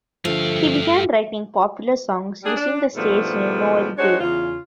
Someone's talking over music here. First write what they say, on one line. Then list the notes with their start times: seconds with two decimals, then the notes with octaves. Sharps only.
He began writing popular songs, using the stage name Noel Gay.
0.25 G2 D3 F3 A3 F5
2.43 G3 D4 G#4
2.56 D4
2.95 G#2 B2 D3 F3 G3 A3
3.97 G#3 D4 D#4 F#4 C5 C#5
4.20 E2 C#3 F4